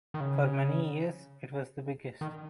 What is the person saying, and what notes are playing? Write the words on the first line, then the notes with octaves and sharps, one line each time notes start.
For many years it was the biggest.
D#3
C#3
D#3